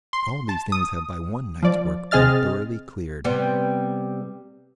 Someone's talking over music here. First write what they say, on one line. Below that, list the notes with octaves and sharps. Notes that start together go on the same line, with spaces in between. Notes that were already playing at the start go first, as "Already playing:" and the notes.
All these things have by one night's work been thoroughly cleared.
C6
A5
D#6
F3 D5
C3 C4 G#4 D#5 F6 A6
C3 G3 B3